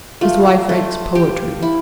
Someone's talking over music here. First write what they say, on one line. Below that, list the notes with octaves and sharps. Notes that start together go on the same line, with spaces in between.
His wife writes poetry.
A3 F4
A3
G4
E4